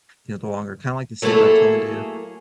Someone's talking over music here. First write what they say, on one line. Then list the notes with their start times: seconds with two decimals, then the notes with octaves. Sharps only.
you know, the longer kinda like the soup I told you,
1.22 F#3 A3 A#3 E4 G#4 A4